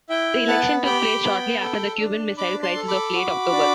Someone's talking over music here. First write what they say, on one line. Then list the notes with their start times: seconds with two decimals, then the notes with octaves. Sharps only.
The election took place shortly after the Cuban Missile Crisis of late October.
0.09 E4 E5 G5
0.48 B3 F#5 A5
0.85 G4 G5 B5
1.23 B3
1.62 A4
2.00 D4
2.37 D4 B5 D6
2.63 A5 C6
2.76 A4
2.88 B5 D6
3.14 F#4
3.52 D4